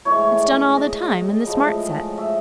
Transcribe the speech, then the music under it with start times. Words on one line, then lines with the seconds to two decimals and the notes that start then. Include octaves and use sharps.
"It's done all the time in the smart set."
0.05 A2 E3 G#3 C#5
0.40 D5
0.77 D#5
1.46 A2 F3 G#3
2.17 E5